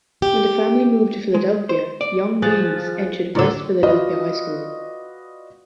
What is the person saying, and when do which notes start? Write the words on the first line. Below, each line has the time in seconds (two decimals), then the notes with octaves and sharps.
When the family moved to Philadelphia, young Weems entered West Philadelphia High School.
0.22 G4
1.34 G#3
1.69 C5
2.01 D5
2.42 F3 G#4 F#6 A6
3.35 D2 D3 A#4 D5 E6
3.83 F4 F#4 B4 D5 D#5